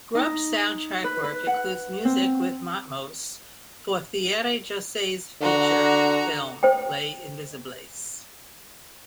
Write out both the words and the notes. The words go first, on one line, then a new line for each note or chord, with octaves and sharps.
Grubbs's soundtrack work includes music with Matmos for Thierry Jousse's feature film "Les Invisibles".
D#4
B4
B4
F#5
C4
D3 F#4 A#5
C5 G5